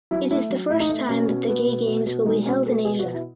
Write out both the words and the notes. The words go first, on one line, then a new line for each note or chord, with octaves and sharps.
It is the first time that the Gay Games will be held in Asia.
F#3 E4
A3 E4
F#3
A2 E4
D#4
A3
B2 C#4
B2
B3
B2
B2
B2
G#3 D#4
B2 C#4
B3 A4
B2 G#4
F#4
B2
E4